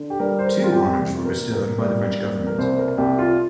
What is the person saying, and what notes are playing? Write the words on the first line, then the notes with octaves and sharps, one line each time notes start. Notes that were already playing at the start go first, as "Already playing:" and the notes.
Two honors were bestowed by the French government.
Already playing: D3
G4
G3 A#4
C5
A#4
C4 F4
G4
C2
A#4
A#3
A#4
G3 A#4
A#3
A#4
C2 C5
A#4
C2 G4
F4